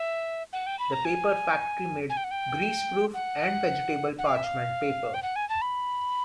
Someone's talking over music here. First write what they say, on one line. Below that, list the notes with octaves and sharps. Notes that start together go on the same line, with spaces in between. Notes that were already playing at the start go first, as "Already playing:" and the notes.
The paper factory made greaseproof and vegetable parchment paper.
Already playing: E5
F#5
G5
B5
A#5
G#5
G#5
G5
F#5
G5
F#5
F#5
F5
E5
F5
G5
F#5
G#5
A5
B5